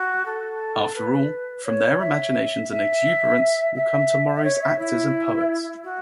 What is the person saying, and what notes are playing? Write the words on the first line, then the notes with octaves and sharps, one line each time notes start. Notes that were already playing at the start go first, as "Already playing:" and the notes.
After all, from their imaginations and exuberance will come tomorrow's actors and poets.
Already playing: F#4
A4
B4
C#5
E5
E5
E5
E5
C#5
E5
E4
F#4